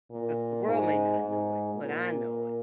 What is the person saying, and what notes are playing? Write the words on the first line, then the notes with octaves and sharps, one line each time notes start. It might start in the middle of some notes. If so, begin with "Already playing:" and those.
'Cause the world may not know it, but I know it.
A#2
G#2
G#2
A#2